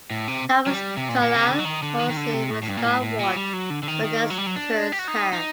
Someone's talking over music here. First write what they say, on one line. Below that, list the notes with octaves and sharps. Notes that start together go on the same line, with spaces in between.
Thomas Carlyle calls him "a stalwart but necessitous Herr".
A2
C3
F#3
G3
C3
A#2
A#2
C3
D3
F#3
D#3
D3
D#3
D#3
D3
C3
A2
A2
G2
A#2
A2
A2
A#2
G3
F#3
D3
D3
D#3
D#3
F#3
G3
F#3
D4
G4
F#4
D#4
D#4